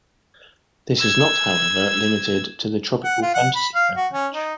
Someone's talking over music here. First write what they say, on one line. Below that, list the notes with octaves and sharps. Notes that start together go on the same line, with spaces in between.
This is not however limited to the Tropical Fantasy beverage.
E6 G#6
F#5
F4
F#5
B5
F5
F#4
C#4
D#4